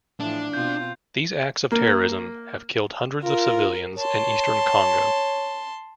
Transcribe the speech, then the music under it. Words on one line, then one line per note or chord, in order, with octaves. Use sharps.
These acts of terrorism have killed hundreds of civilians in Eastern Congo.
A2 E3 F3 D4
B2 C4 F4 G6
A#3
F4 A#4
C#5 A5 C6